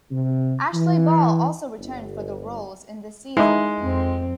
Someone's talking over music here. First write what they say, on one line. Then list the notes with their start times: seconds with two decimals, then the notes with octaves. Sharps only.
Ashleigh Ball also returned for the roles in this season.
0.11 C3
0.73 E3
1.78 G1
3.37 G#3 D#4 E4
3.80 F2 C4